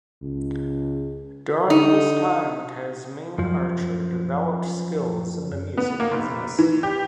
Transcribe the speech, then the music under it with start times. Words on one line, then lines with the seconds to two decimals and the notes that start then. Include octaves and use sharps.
During this time, Tasmin Archer developed skills in the music business.
0.22 C#2
1.70 D3 D#4
3.38 F#2 F3
5.77 B3
6.00 A#3
6.12 F1
6.59 E3
6.83 G4